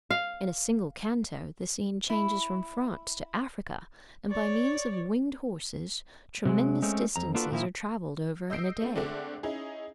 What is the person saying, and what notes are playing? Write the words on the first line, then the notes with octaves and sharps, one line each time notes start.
In a single canto the scene changes from France to Africa, and by means of winged horses tremendous distances are traveled over in a day.
F5
E4
C#5 D5
C3 F#3 G#3
G#3 A3 C4 C#4
F2 A#5
A#3 D4 F4 F#4 A4 B4
A#2 D#3 F3 A#3 E4
D#5 E6 G6 C7 D7
A3 C4
D3 G#3 A3 C4 D4
C#4 D#4 E4 G#4